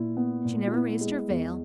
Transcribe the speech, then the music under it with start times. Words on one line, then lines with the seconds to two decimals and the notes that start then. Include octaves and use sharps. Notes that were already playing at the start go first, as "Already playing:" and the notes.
She never raised her veil.
Already playing: A#2 E4
0.17 B3
0.45 A#2
0.67 F4
0.73 B3 E4
1.01 G#3
1.30 E2